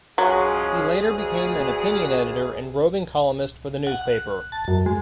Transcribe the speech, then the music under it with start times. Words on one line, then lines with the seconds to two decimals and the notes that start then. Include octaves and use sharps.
Later he became an opinion editor and roving columnist for the newspaper.
0.18 F3 F#3 G#3 C#4 G#4
1.03 D2
3.87 F#5
4.01 F#6
4.52 A5
4.68 F#2
4.86 G#3